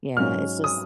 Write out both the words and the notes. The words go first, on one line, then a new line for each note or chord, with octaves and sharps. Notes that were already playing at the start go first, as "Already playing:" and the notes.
Yeah, it's just
G#2 F#3 C#4 F6
D#6